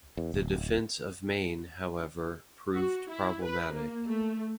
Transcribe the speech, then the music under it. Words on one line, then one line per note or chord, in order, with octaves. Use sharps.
The defense of Maine, however, proved problematic.
E2
D1
F#4
E4
B4
A#3
A3